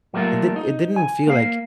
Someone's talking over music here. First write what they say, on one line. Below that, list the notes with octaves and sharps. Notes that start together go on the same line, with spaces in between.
it did it didn't feel, like,
F#3 G3 A3 A#3 F4
D#4
G#5
A#3 F5